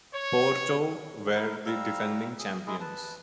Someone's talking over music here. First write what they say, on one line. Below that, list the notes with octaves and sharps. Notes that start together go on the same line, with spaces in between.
Porto were the defending champions.
C#5
E4 A#4
G3 F5 A#5 E6
G#4
G#3 E4 G#4
B4 A5